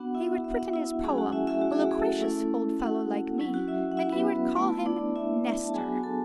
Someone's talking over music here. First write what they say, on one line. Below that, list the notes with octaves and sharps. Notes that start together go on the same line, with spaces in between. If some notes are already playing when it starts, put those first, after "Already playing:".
He would put in his poem, a loquacious old fellow, like me, and he would call him Nestor.
Already playing: B3 D4 F#4 F#5
E4 E5
E5
F#5
E5
F#5
E4 E5
F#3 A3 C#4 F#4 G#4 G#5
F#4 F#5
E4 E5
E4 E5
F#4
G#4
F#4
G#4
A3 A4
A3 C#4 E4
F#4 F#5
F#3 C#4 E4
F#4 F#5
E4 E5
F#5
E4 E5
B3 B4
A3 E4
D4 D5
E4 E5
A5
F#3 B3 D4 F#4 G#4 G#5
A4 A5